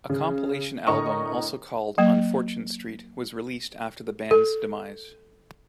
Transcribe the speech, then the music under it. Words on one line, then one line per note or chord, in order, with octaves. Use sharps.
A compilation album, also called "On Fortune Street", was released after the band's demise.
C#3
A2 D3 A#4 D#5 A#5 C#6
F#3 A#3
A4